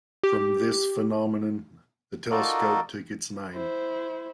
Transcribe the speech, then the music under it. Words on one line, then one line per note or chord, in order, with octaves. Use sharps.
From this phenomenon the telescope took its name.
G4
D#4 F4 F#4 A4 A#4 D5
E4 C5